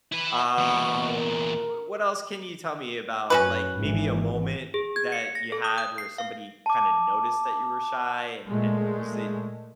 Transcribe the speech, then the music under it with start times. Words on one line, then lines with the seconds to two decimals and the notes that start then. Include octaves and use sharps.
Um, w what else can you tell me about, like, maybe a moment that you had where somebody kinda noticed that you were shy, and and was it
0.12 E4 B4
0.58 E2 A#2 B3
1.06 A#4
3.30 F#2 C#4 F#4 B4
3.78 G#1 E3
4.74 G#4
4.96 G#6
5.12 C#7
5.35 A#6
5.52 A4
5.64 D#6
5.78 G6
5.98 C7
6.18 F5
6.66 A5 D6
8.48 A#2 G#3 A3